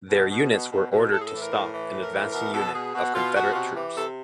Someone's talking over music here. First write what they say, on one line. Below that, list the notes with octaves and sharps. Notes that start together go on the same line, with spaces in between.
Their units were ordered to stop an advancing unit of Confederate troops.
B2
B2
B2
B2
B2
A2 A4
G#4
E3 A4
A#4
A2
E3
A2
A#4
E3
B2 A#4
B2 A4
B2 G#4
B2 F#4
B2 F4
B2 F#4
F4
C3 F#4
E3 G4
C3 A4